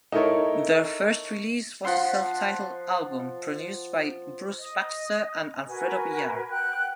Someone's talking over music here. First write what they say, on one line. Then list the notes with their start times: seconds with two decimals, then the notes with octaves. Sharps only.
Their first release was a self-titled album, produced by Bruce Baxter and Alfredo Villar.
0.12 D#4 E4 A4 A#4 C#5
1.85 F3 F#5 C6
4.60 D#5
5.67 F#4 A#4 B4 G#5
6.49 F#5 G5 F#6